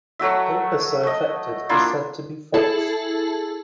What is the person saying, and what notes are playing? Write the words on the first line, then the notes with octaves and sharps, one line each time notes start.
Paper so affected is said to be "foxed".
F#3 A3 F#4 E5
A3 D#5
A#3 D4 E4 F4
E4 G#4 A4 A5